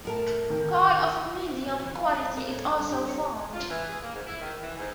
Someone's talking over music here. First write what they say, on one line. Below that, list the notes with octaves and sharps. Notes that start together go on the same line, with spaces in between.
Coal of a medium quality is also found.
A2 A#4 A5
D#3
E3
B2
E3
F4
G#4
A#4
A2
D4
G2
G4
C#5
F4
E3
G#4
A#3
G#2
E4
D#3
E3
G#2